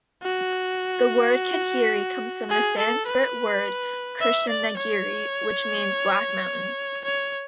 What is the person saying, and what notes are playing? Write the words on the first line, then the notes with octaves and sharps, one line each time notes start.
The word Kanheri comes from the Sanskrit word "Krishnagiri" which means "black mountain".
F#4
G#4
A4
B4
E5
D5
C#5
C#5